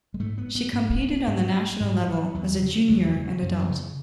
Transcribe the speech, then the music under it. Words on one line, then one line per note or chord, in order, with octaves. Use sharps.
She competed on the national level as a junior and adult.
G#3
G#2 A3
B3
B3
G#2
G#2
G#2 G#3
E3
F#3
E2 F#3
C#3
E2 F#3
C#3
F#2
C#3